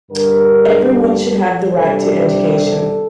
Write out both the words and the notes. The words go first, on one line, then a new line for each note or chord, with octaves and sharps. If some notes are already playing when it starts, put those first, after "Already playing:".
Everyone should have the right to education.
G2 D3 G3 A#4
A4
C3 G3 D4 A4
A4